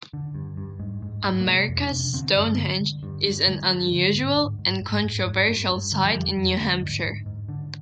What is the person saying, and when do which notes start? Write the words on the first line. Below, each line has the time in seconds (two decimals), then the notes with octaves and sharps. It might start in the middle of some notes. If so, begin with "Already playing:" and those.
America's Stonehenge is an unusual and controversial site in New Hampshire.
0.13 D3
0.35 G2
0.57 G2
0.80 G#2
1.02 G#2
1.25 G#2
1.40 A#3
1.47 C3 G#3
1.69 F2
1.80 D4
1.91 C3
2.13 D3 C4
2.36 G2
2.58 D3
2.81 D3
3.03 G2
3.25 G2
3.47 D3 G#3
3.70 G2
3.92 D3
4.15 G#2
4.36 G#2
4.59 G#2
4.81 G#2
5.04 G#2
5.26 G#2
5.48 G2
5.71 G2
5.92 D3
6.05 F3
6.14 F2 G3
6.38 F2
6.60 D3
6.82 G#2
7.04 G#2
7.26 G#2
7.49 D3